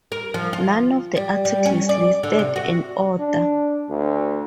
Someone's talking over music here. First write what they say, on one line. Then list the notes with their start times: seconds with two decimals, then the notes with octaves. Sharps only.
None of the articles listed an author.
0.12 A#4
0.34 F3
0.53 F4
1.17 G3
1.45 G3
1.66 C#4
1.89 D5
2.23 D3
2.39 C3
2.56 F#4
3.20 D4
3.90 D2